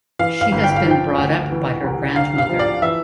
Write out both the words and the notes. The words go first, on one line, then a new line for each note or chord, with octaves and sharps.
She has been brought up by her grandmother.
E3 F5
F5
G1
G5
F5
F3
G5
D2
E3
C2
D3 F5
F5
F3
D5
E3 E5